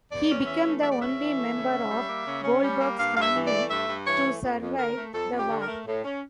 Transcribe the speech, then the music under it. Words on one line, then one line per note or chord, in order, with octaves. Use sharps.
He became the only member of Goldberg's family to survive the war.
E2 D5
C#4
E3 E5
A3
E2 E5
D5
C#4 E5
E3
A3
C#3
C#4
G3
A#3
C#3
C#4
G3
A#3
G2 F5
G2 F5
E5
E3
D5
A3
G2 E5
G2
E3 C#5
A3
F2
F2
D3 A#4
A3
F2 A4
F2
G4
D3
A#4
A3
A2
C#4